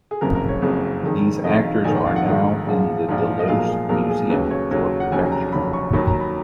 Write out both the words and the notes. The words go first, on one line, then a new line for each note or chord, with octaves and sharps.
These actors are now in the Delos Museum for protection.
G#4
F#1 F2 C#3 G#3 A#4
A#4
C#5
F#1 F2 C#3 G#3
F1 F2 D#3 G#3
F1 F2 D#3 G#3 D#5
F5
A#1 G#2 D#3 G#5
F#5
F5
F#5
A#1 G#2 D#3
A#1 G#2 F3 G#3
A#1 G#2 F3 G#3
D#5
B1 A#2 F3 G#3 F5
A#4
G#4
B1 A#2 F3 G#3 A#4
G#4
D#2 C#3 F#3 B4
C#5
D#2 C#3 F#3 C#5
F#5
F1 D#2 C#3 F#3 G#5
A#5
F1 D#2 C#3 F#3 B5
C#6
D#2 D#3 F#3 B5
A#5
B5